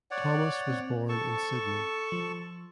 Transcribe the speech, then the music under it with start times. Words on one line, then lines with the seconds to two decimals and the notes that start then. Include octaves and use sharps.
Thomas was born in Sydney.
0.11 C#5 D5 F#5
0.70 C4
1.09 A4 A5 C#6
2.12 F3